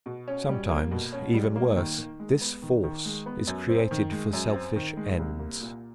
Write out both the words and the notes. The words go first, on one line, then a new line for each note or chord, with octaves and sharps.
Sometimes even worse, this force is created for selfish ends.
B2
C#4
G3
A#3
B2
C#4
G3
A#3
D#3
D#3
G#3
B3
D#3
D#3
G#3
B3
F#2
C4
D#3
G#3
F#2
C4
D#3
G#3
C2
A#3
A#2